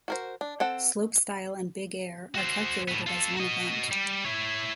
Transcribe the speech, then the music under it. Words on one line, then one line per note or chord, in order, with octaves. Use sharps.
Slopestyle and Big Air are calculated as one event.
F#4 A#4 C5
D4
C4 A4 F#5
F#4 C5
A2 B3
F4 A4
F#4 D#5
G3
E4 C#5